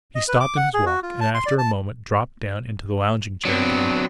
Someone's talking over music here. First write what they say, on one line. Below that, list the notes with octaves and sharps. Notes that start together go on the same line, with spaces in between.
He stopped in his walk, and, after a moment, dropped down into the lounging chair again.
D#5
B4
D6
F#5
G#4
F#4
F4
A5
C6
D5
A5
F#3 B3 C4 D4